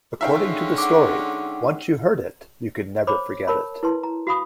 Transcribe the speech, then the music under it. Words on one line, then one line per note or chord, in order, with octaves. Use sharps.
According to the story, Once you heard it, you could never forget it.
D3 G#3 C#4 D#4 E5 F5 G5
F#5 D6
C5 C#5 B5 D6
A#4 C#5 A5 B5
E4 B4 A5 C6
A#5
F#4 F5 B5 D#6